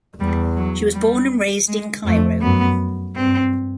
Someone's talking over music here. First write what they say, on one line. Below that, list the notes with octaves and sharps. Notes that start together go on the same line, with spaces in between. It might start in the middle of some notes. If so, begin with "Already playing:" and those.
She was born and raised in Cairo.
E2 G3
F#3
G3
G#3
F2 A3
F#2 B3
G2 C4